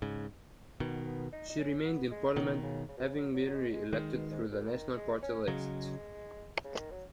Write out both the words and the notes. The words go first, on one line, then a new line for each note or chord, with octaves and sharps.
She remained in Parliament, having been re-elected through the National Party list.
G#2 C#3
B2 D#3 B3
B3
D#4
D#4
C#4
B3
G#3
B2 D#3 F#3
C#3
C#3
B2
C#3
F#3
F#3
F#3
G#3
F#3
G#3
D#3 G#3
B2
G#2
F#2
C#3
D#3
G#3
C#4
C#3 F#3 G#3
C#3
D#3
F#3